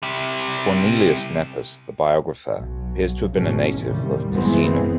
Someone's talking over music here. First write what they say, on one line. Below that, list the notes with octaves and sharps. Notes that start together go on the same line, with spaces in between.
Cornelius Nepos, the biographer, appears to have been a native of Ticinum.
C3 G3
B1 F#3
G#1 G#2 B2 E3 G#3 C#4
D#2 A2 C3 D#3 G3
F#1 F#2 E3 G#3 B3 C4